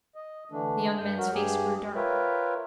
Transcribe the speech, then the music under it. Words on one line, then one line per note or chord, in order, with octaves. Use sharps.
The young man's face grew dark.
D#5
D3 E3 A3 D4
G2 G6
F#3 F#4 A#4
G2 G4 G#4
F4 A#4 B4 C#5 E5 G5